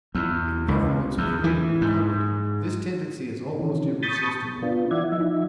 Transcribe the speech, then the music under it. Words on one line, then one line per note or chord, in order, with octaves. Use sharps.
In governments purely republican, this tendency is almost irresistible.
E2
C#2
E2
E3
G#2
C3 D#3 E3 C#4
A5 B5 C#6 D#6 G6 A6
B2
B3 D4 F4
E3 E4 D5 E5 F#5 G#6
F3 D#4 E5